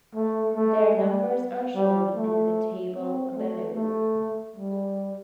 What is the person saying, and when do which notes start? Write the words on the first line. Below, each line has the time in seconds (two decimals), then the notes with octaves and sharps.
Their numbers are shown in the table below.
0.15 A3
0.55 A3
0.95 G3
1.76 G3
2.15 A3
2.95 C4
3.36 A3
3.76 A3
4.57 G3